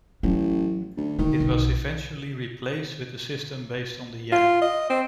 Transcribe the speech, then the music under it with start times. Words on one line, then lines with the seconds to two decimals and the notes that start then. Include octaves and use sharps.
It was eventually replaced with a system based on the "yen".
0.23 A1 F#3
0.97 D2
1.19 D3 D#3 A#3
1.40 B1
4.32 F4
4.62 D#5
4.90 C4